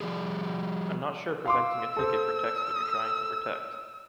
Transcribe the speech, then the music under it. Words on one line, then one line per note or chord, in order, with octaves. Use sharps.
I’m not sure preventing a ticket protects what you’re trying to protect.
F3 G3 G#4
F5 C6 D6 E6
A4 C5